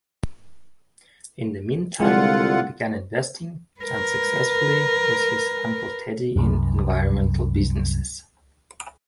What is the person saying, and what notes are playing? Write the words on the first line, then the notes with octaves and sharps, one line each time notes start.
In the meantime, he began investing, unsuccessfully, with his uncle Teddy in environmental businesses.
C2 D3 G#3 F4 F#5
A#4 B4
C2 F#2